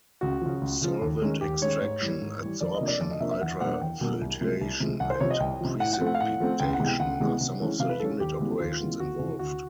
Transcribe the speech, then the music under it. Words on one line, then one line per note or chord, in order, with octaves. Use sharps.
Solvent extraction, adsorption, ultrafiltration, and precipitation are some of the unit operations involved.
C#2 F#4
C#3 F3
C#2
C#3 F3
D#2
D#3 G#3 C#4
D#2 G4
D#3 G#3 C#4 C#5
G#2
E3 G3
G#2
E3 G3
F2 D5
D#5
C3 F3 A#3 D4
D5
F2 D5
D#5
C3 F3 A#3 D4 E5
E5
E2 F#5
B2 G3 A#3 D4 F#5
E2 G5
B2 G3 A#3 D4
C2
C3 F3 G#3
C2
C3 F3 G#3
C2 F#5
C5
C3 F3 C#5
D#5
C2 G5
C3 F3
A2 F#5
F#5
F3 A3 C4
F#5
F5
A2 F#5
F3 A3 C4
C#2 G5
F#5
C3 E3 G#3 B3
G5
C#2 F#5
C3 E3 G#3 B3
C3
E3 G#3 C#4
C3 F5
B4
E3 G#3 C#4 A4
D#2 G4
C#3 E3 G#3 B3
D#2 F4
C#3 E3 G#3 B3
D2 F#4
C3 E3
D2 F#4